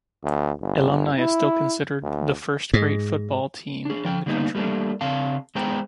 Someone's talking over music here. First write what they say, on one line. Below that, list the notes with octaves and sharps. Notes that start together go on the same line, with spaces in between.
Alumni is still considered the first great football team in the country.
D2
G1
E4
D2
G#2
D4 G#4
F3 G5
D3 G3 A#3 B3 D#4
G3 A3 A#3 D4
C#3 C4 F5 A5
G#3 B3 G#4 C5 G5 A#5